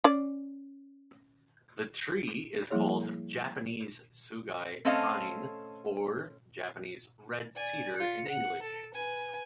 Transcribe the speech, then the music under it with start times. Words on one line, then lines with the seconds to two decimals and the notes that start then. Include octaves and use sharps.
The tree is called Japanese sugi pine or Japanese red-cedar in English.
0.04 C#4 D5
2.70 F3 G3 A#3 E4 G#4 C#5
4.85 A3 C4 C#4 A4 D#5 F5
7.56 D5 G#5
7.97 F4 C#7
8.29 F#5
8.63 A4
8.94 B4 G#5